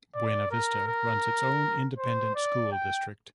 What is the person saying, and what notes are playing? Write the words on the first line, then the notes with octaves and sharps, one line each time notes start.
Buena Vista runs its own independent school district.
D5
A#4
A#4
C5
D5
G5